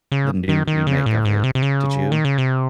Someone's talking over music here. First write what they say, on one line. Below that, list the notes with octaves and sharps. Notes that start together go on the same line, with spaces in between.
the new remake of it. Did you?
C#3
D#3
D#3
C#3
A2
G#2
C3
C3
C#3
D#3
C#3
C3